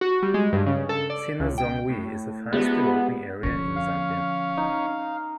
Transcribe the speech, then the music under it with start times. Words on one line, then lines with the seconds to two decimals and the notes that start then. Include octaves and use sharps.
Sinazongwe is a fast developing area in Zambia.
0.01 F#4
0.23 G3
0.34 G#3
0.53 G2
0.66 C#3
0.89 A4
1.10 D5
1.40 C#2
1.58 G5
1.90 A2
2.53 G#3 B3 F4 G4 D5 E5
3.43 D3 F3 C#4
3.76 F5
4.57 D#4